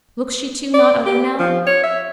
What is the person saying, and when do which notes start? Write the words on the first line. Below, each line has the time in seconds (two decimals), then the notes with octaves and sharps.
Looks she too not other now?
0.74 D5
1.06 G4
1.39 F3
1.67 C#5
1.83 E5